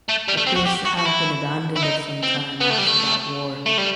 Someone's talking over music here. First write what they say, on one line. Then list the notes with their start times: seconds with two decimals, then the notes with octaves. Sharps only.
It appears to have been abandoned at some time after that war.
0.09 A3
0.28 G3
0.37 A3
0.47 C4
0.56 F#4
0.67 G4
0.86 F#4
0.99 F#4
1.06 E4
1.77 E4
1.83 D#4
2.23 C4
2.60 B3
2.70 A3
2.78 G3
2.87 A3
3.66 A3
3.78 G3